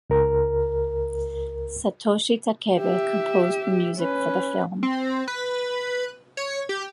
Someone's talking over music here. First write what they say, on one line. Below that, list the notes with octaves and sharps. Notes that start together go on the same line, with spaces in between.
Satoshi Takebe composed the music for the film.
C#2 A#4
G4 E5
C#4 B4
C4
B4
C#5
G4